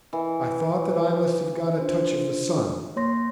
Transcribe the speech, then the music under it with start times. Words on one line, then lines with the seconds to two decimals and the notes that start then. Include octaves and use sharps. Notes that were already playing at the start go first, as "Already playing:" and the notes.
I thought that I must have got a touch of the sun.
0.13 E3
1.79 D4 F4 C5
2.96 A#3 C#5 C6 A#6